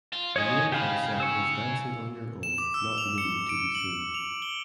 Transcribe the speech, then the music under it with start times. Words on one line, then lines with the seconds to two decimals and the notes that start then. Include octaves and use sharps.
The main concept is dancing on your own not needing to be seen.
0.13 F4
0.36 F3 C#4 C#5 D#5 G#5
0.72 C#3 G4 F5 B5
1.20 C#6 E6
2.43 E7
2.58 D6
2.74 E6
2.98 F7
3.18 C#7
3.49 D7
3.75 F#7
4.14 F7
4.42 G7